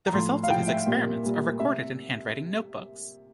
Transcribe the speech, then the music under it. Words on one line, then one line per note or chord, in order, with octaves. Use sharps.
The results of his experiments are recorded in handwriting notebooks.
A#5
A2 F3 A3 C6
F5
A2 F3 A3 G5
E5
A#2 G3 A#3
A#2 G3 A#3
C3 E5